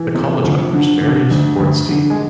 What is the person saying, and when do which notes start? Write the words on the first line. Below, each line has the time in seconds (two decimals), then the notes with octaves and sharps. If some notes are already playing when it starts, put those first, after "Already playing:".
The college offers various sports teams.
Already playing: E3
0.15 C3
0.44 D2 F3
0.73 D3
1.01 D3
1.31 D2
1.60 D2
1.89 D3
2.10 G#3